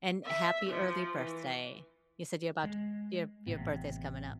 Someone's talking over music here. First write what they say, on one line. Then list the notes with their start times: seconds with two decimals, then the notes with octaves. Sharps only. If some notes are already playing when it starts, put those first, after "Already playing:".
And happy early birthday. You said you're about t your your birthday's coming up.
0.25 E5
0.69 F3
1.16 E3
2.64 G#3
3.46 A1 A2 C3 B3